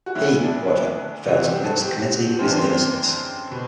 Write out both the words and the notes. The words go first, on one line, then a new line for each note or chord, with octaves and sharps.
He, however, failed to convince the committee of his innocence.
F#4
D2 D3 F#3 E4
D4
C2 C3 E3 F#4
G4
A4
G4
F#2 E3 C4 D4
C4
C4
B2